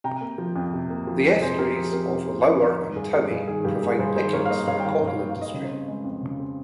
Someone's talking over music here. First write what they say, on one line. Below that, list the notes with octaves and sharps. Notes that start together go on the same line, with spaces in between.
The estuaries of the Loughor and Towy provide pickings for the cockle industry.
C3 G5 A#5
A#3
F3
F2
C3
A#3
F3
F2
C3 G#4 C5
A#3 G4 A#4
F3 G#4
F2 G4 A#4
C3 G4 A#4
A#3 G#4 C5
F3 A#4 C#5
C5
F2 A#4 C#5
D#3
G2 G#4
A#3 G4
G2 G#4
D#3 G#4
G2 G4
A#3 G#4
G2 G#4 C5
D#3 G#4 C5
G2 A#4 C#5
F5
A#3 C5 D#5
G2 C#5 F5
G5
D#3 C#5 F5
G2
C#5 F5
A#3
F5
G2
D#5
C#3 C#5
C5 D#5
C4
G#3
F2
C#3
C4